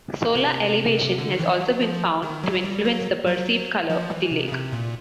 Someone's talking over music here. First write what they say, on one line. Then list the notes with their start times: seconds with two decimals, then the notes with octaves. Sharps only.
Solar elevation has also been found to influence the perceived colour of the lake.
0.35 C3
1.18 D3
1.32 D#3
1.39 E3
1.46 F3
1.61 F#3
1.81 F3
2.23 D#3
2.44 F#3
2.64 G3
2.85 F#3
3.27 F#3
3.90 F3
4.10 E3
4.31 C3
4.48 C#3
4.52 C3
4.73 A#2